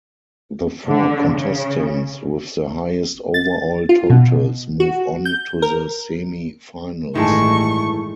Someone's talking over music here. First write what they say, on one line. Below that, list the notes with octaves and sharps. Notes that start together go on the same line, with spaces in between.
The four contestants with the highest overall totals move on to the semi-finals.
D3
C#3
A6
F4
B2
F#4
G6
A#4
A1 G2 D#3 G#3 A3 E4 A5 C#6